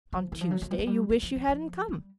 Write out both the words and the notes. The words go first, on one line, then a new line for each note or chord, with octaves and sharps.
On Tuesday, you wish you hadn't come.
F3
E3
F3
F#3
F#3
G3
F#3
G3
F#3
F3
F3
F3
G3